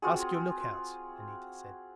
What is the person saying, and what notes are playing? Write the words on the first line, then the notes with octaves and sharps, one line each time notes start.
"Ask your lookouts," Anita said.
C4 F4 F#4 G#4